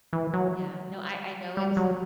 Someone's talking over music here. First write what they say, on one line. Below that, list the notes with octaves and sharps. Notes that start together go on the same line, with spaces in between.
Yeah. No, I I know it's
E3
F#3
G3
F#3